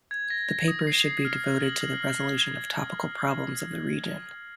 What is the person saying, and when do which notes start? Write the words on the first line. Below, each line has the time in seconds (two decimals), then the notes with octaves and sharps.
The papers should be devoted to the resolution of topical problems of the region.
0.11 G#6
0.30 A#6
0.49 A#6
0.68 D#6
0.87 C7
1.06 C7
1.25 F6
1.44 G#6
1.63 F#7
1.81 F6
2.00 F6
2.19 G#6
2.37 G#6